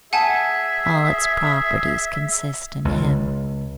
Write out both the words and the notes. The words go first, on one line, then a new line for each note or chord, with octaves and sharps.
All its properties consist in him.
G#4 E5 F#5 G#5 A5
C#2